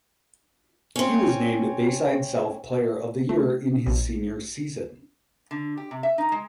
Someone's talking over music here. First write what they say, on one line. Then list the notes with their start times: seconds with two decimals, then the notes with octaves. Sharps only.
He was named Bayside South Player of the Year in his senior season.
0.96 C4 C#4
3.29 A3
3.86 A#1
5.51 D3
5.77 G4
5.91 C3
6.03 E5
6.18 D#4
6.32 G#3